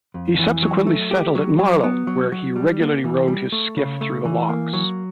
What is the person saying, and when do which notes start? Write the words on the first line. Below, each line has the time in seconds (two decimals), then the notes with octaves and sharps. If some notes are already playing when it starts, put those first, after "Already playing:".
He subsequently settled at Marlow where he regularly rowed his skiff through the locks.
0.14 F2
0.39 E3
0.63 F#3
0.87 A3
1.11 G4
1.35 F#3
1.59 F#3
1.84 B3
2.07 F#3
2.32 F#3
2.56 G3
2.80 A#3
3.04 E3
3.28 G3
3.52 A3
3.77 C#3
4.01 A3
4.25 E3
4.49 A#3
4.73 F#3